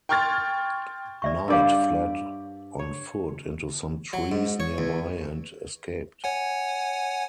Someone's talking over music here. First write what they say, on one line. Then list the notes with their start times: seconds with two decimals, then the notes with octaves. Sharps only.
Knight fled on foot into some trees nearby and escaped.
0.09 G5 C6 C#6 F6 G#6 A6
1.22 D5 E5 C#6
1.48 G2 A#4 C#5 D5 F5
2.79 C#5
4.13 F#3
4.32 G#2
4.60 C#5
4.78 E2
6.24 C#5 F#5 G#5